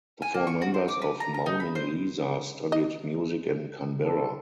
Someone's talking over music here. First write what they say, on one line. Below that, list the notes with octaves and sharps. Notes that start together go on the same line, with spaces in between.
The four members of Moaning Lisa studied music in Canberra.
G#5
A#3
C#6
F#4
C5
D6
B4
A#5
A#5
D#4
B5
C5
D#5
A4